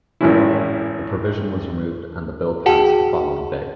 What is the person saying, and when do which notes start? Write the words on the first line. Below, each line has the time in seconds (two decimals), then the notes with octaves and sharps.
The provision was removed, and the bill passed the following day.
0.21 G#1 F#2 A2 E3 C#4 E4
2.66 F#4 G#4 F#5 G5 A5